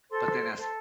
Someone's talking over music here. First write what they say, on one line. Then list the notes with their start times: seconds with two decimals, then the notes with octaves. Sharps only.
But then as
0.10 A4 C5 C6
0.27 C5
0.41 C5
0.57 A4